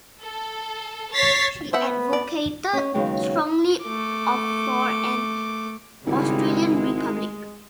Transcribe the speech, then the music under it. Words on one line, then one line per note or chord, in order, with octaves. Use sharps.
She advocated strongly for an Australian republic.
A4
C#5 A6 B6 C7
B3 C5 E5 F#5
D5
C#4 D#5
D#2 C#3 F#3 G#3 B3 G5
A3 D6
G#1 C#3 G3 G#3 E4
G#3